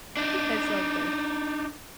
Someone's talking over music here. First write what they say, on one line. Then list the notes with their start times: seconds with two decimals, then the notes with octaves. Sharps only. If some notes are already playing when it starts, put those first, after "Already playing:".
that's all good.
0.17 D4 D#4